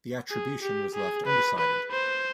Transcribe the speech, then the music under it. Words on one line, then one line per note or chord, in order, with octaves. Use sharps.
The attribution was left undecided.
G#4
G4
G#4
B4
B4
C5